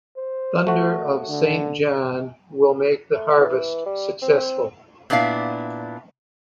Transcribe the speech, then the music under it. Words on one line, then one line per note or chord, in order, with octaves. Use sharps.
Thunder of Saint John, will make the harvest successful.
C5
A3 F#4
D3
A3
E3
G3
C4
A#2 B3 D4 E4 F5